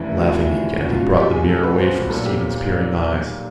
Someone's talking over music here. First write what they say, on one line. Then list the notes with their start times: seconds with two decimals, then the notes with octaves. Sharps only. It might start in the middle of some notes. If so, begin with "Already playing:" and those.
Laughing again, he brought the mirror away from Stephen's peering eyes.
Already playing: F1 D#2 C#3 E3 E4
0.17 F#4
0.25 F4
0.86 C#2 B2 F4
1.02 F#4
1.17 G4
1.33 G#4
1.48 A4
1.63 B4
1.79 C5
2.10 B1 A#2 A4
2.25 G4